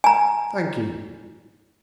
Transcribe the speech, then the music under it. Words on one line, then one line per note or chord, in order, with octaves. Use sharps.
"Thank you."
G#5 A#5